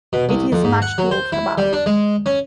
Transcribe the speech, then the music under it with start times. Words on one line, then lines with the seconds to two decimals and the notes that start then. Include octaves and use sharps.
It is much talked about.
0.13 B2
0.29 C2
0.52 F2
0.64 G#2
0.82 F#5
0.98 F#3
1.11 C5
1.32 E4
1.58 G3
1.73 D4
1.86 G#3
2.26 C#4